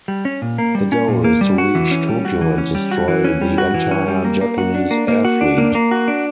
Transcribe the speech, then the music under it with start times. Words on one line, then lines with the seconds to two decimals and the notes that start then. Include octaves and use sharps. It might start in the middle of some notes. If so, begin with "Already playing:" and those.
The goal is to reach Tokyo and destroy the entire Japanese air fleet.
0.08 G3
0.25 C#4
0.42 A#2
0.58 A#3
0.75 G3
0.92 C#4
1.08 A#2
1.24 A#3
1.41 G3
1.58 F#4
1.75 E3
1.91 C#4
2.08 G3
2.25 F#4
2.41 E3
2.58 C#4
2.75 G3
2.91 F#4
3.08 E3
3.24 C#4
3.41 G3
3.58 F#4
3.74 E3
3.91 C#4
4.08 G3
4.25 A#3
4.41 A#3
4.58 F#4
4.74 D4
4.91 A#3
5.08 A#3
5.25 F#4
5.41 D4
5.58 A#3
5.75 A#3
5.91 F#4
6.08 D4